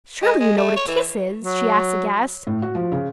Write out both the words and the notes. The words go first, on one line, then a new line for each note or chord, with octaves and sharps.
"Surely you know what a kiss is?" she asked, aghast.
G#3
G#3
A3
C#5
E3
F#3
A2
F#4
F3
C#3